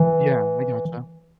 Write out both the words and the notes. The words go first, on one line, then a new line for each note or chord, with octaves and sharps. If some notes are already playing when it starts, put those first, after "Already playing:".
Yeah, I gotcha.
Already playing: E3